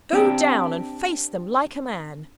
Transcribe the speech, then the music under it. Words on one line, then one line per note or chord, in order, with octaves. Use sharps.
Go down and face them like a man.
C4 D4 G4